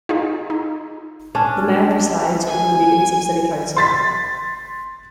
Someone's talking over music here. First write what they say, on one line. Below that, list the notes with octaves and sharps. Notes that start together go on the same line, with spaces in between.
The Mayor presides over the meetings of City Council.
D#4 F4 G#4
D#4
C#4 D4
G#5
C6 A6 B6